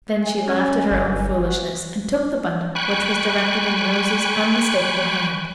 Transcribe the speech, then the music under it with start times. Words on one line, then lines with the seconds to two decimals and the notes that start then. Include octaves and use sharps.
Then she laughed at her own foolishness, and took the "bundle," which was directed in Rose's unmistakable hand.
0.25 G#5
0.48 C#4
0.91 G1
1.39 F#4
2.75 G5 G#5 B5 C#6 F#6